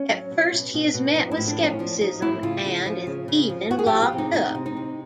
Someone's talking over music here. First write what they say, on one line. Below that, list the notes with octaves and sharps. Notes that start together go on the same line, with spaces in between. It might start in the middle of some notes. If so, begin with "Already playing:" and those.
At first he is met with scepticism, and is even locked up.
Already playing: C#4
F#3
B2
B2
B2
B2
F3 D#4
E4
A2
D4
F3
C#4
F3 D4
F3 D#4
A2 E4
C#3 F4
C#3
F3
C#3
C#3
F3
F3 F#4
G#4
G4
F3
F4
C3
D#4
C3 D#4
C3
D#4
C3